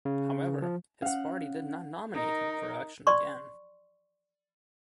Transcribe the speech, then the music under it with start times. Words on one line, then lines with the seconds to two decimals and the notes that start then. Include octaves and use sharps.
However, his party did not nominate him for election again.
0.05 C#3
0.62 F3
1.02 C#4 F5 F#5
2.14 D#4 A#4
3.07 D5 C6 C#6